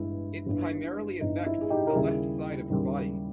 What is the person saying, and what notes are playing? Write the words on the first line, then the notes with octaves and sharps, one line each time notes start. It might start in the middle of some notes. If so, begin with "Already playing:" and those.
It primarily affects the left side of her body.
Already playing: G1 G2 E3 G#3 E4
G1 G2 E3
G1 G2 E3 D#4
E4
G#4
D#4 G4
A#4
D#2 C#3 G3 E4 G#4
D#2 C#3 G3